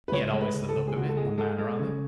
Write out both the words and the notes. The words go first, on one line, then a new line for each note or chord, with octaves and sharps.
'He had always the look of it, and the manner of it.'
B4
C#2 C#5
G#3
B4
C#2
A4
C#2
G#4
C#2 F#4
A4
G#3 G#4
G#3 A4
G#3 A4
C#3